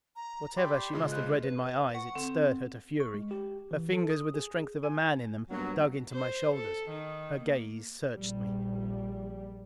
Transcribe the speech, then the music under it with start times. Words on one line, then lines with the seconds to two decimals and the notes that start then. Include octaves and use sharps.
Whatever she must have read in my eyes, it stirred her to fury. Her fingers with the strength of a man in them, dug into my shoulders. Her gaze searched me.
0.16 A#5
0.56 G4 D5 B5 C6
0.93 C#3 F3 G#3 D#5
1.11 F4 B4 C5
1.43 B4
1.95 F#5 C#6
2.15 D3 C4
3.00 C#6
3.14 G#3
3.31 G4
3.71 E3
3.92 A4
4.10 D#6
4.34 G#4
4.83 G#5 D#7
5.50 G2 F#3 A#3 B3
6.13 C5
6.55 A4
6.90 D#3
7.42 A#3
8.12 A#1 G3